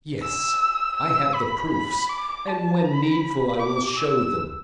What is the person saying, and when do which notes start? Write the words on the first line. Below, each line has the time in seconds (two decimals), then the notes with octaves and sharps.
Yes, I have the proofs, and when needful I will show them.
0.23 E6
0.97 E6
1.34 B5
1.72 B5
2.09 D6
2.47 A5
2.84 B5
3.59 D6
3.96 E6